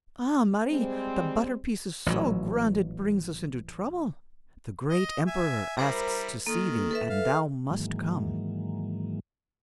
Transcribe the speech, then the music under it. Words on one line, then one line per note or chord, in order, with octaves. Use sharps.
"Ah, Marie! the butter-piece is so grand, it brings us into trouble. The great Emperor asks to see thee, and thou must come!"
G3 G#3 C4
A1 A#2 C#3 F#3
D#5
E5 G#5
G3 E4 A#4 C5 A#5
D#3 A#3 A4
A4 B4 E5
F5
G#2 D#3 E3 F#3 G#3 A#3